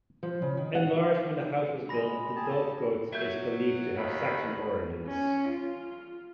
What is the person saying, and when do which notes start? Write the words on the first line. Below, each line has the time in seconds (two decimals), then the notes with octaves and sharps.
Enlarged when the house was built, the dovecote is believed to have Saxon origins.
0.23 F3
0.42 C#3
0.57 D#3
0.75 F#5
1.89 G#3 B5 A#6
2.36 G4 G#4 A5
2.48 G4 A4
3.12 F#3 E5 G6
3.97 D#2 B5
5.07 C#4
5.49 F4